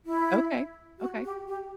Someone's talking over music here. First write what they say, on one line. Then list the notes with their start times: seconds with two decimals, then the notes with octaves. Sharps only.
Okay, okay.
0.06 E4
0.99 F#4
1.22 G4
1.47 G4